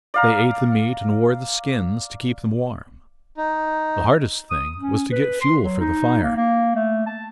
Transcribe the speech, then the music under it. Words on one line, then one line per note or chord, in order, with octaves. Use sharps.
They ate the meat and wore the skins to keep them warm. The hardest thing was to get fuel for the fire.
D5 F5 A#5
D#4
D#6
C#4
B4
C6
F#3
D#4
A#3
A#3
A3
A5